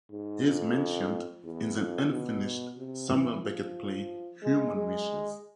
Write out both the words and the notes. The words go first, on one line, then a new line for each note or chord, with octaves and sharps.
He is mentioned in the unfinished Samuel Beckett play Human Wishes.
G#2
F2
E2
F2
B2
C3
E3
F3
G#3
G#3